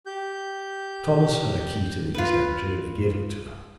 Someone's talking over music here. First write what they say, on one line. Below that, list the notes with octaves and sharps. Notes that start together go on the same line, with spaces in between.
Thomas had a key to the east entry, and gave it to her.
G4 G6
F4 B4